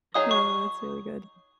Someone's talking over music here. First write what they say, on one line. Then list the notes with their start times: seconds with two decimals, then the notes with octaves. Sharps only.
Oh, that's really good.
0.14 F#3 D#4 G#4 D#6
0.31 C#6